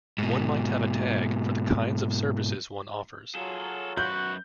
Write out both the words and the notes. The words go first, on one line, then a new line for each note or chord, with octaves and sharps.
One might have a tag for the kinds of services one offers.
G#2 B2
F#3 F4 G#4 A4
F#2 F#4 B4 G6